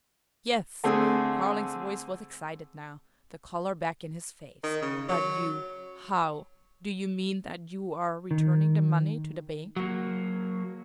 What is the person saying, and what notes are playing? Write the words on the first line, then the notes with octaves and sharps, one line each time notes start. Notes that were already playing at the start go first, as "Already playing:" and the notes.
"Yes!" Carling's voice was excited now, the colour back in his face. "But you--how--do you mean that you are returning the money to the bank?"
D3 A3 C4 G#4
D#3
C#3
F#3
D#3
F#3 A#3